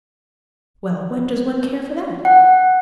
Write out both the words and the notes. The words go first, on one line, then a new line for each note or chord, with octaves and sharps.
Well, what does one care for that?
F#5